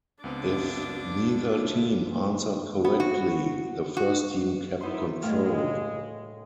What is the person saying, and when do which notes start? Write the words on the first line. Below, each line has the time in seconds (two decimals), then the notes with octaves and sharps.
If neither team answered correctly, the first team kept control.
0.24 C#2 B3 C4 D4 D6
2.84 B3
3.00 F#4
3.97 F#4
4.81 F#2 B3 D#4 E4 C6
5.22 A2 G#3 F5